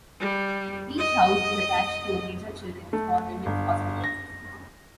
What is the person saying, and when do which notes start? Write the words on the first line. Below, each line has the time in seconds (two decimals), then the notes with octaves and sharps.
Each House is attached to a major Children's or Women's hospital.
0.20 G3
0.98 D#5
2.93 A3
3.46 G1
4.04 A#6